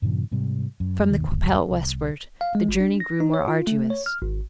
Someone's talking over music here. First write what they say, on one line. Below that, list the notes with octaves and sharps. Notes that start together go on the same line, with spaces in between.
From the Qu'Appelle westward the journey grew more arduous.
G2 A#2 C#3 F3
G#2 C3 G3
F#2
G1 D#2 B2 D#3
F#1 D2
C2
F5
G#3
G1
D4
A#6
D#4
C#5
F4
A3
C#5
F6
G#1